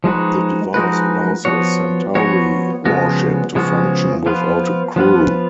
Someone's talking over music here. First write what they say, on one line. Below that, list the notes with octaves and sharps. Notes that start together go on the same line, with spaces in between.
The device allows a Centauri warship to function without a crew.
F3 G#3 D#4 F#4 B4
F3 G#3 D#4 F#4 B4
F3 B3 F#4 C#5
F3 B3 F#4 C#5
C#3 F3 G#3 B3 F#4
C#3 F3 G#3 B3 F#4
F3 B3 F4 B4
F3 B3 F4 B4